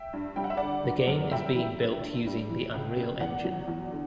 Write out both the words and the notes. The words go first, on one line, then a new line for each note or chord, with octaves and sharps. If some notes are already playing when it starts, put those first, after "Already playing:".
The game is being built using the Unreal Engine.
Already playing: E5 G5
G2
G3 G5
F#5
E5
D3 D5 F#5
F#1
F#2
G3 E5 G5
E3
G1
G2
G3
E3
C#2
C#3
E2 D5 F#5
F#3
E2
D3